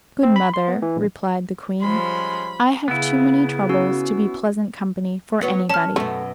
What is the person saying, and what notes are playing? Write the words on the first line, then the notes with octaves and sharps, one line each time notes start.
"Good mother," replied the queen, "I have too many troubles to be pleasant company for anybody."
C4
B5
C6
B3
E3
A#1
F3 G3 G#3 C#4 B5 C6
C#3 B3 E4
C#4 F#4 E6
F#3 B3 C#4
C#4 A5 F6
F#2 B2 A3